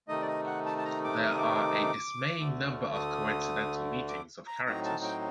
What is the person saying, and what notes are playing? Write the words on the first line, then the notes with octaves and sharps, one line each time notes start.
There are a dismaying number of coincidental meetings of characters.
C3 D#3 A3 D#4 D#5
D5
D#5
F#5
A5
A5
A#5
D6
D6
D#6
D6
D2 D3 A3
D#6
D6
A#5
A2 F#3 C4 D#4 A#5
A5
G5